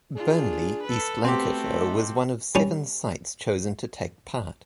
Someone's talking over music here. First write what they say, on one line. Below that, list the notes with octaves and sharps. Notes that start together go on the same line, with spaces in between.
Burnley, East Lancashire was one of seven sites chosen to take part.
D4 F4 G#4
A4 B4
A3 B3 C4 F#4 G4 A4
D#4
G3 C#4